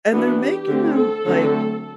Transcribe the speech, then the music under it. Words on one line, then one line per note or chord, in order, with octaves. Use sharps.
And they're making them, like
E3 B3 D4 F#4
G4
D3 A3 C4
A4
D3 F#3 A3 C4